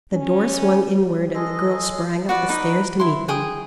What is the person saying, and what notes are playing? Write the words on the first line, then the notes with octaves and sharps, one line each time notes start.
The door swung inward, and the girl sprang up the stairs to meet them.
C#4
G#3 G#4 A4 D#5
F#4 B4 D5
D#4 B4
E4 C6
G#4 G5 D#6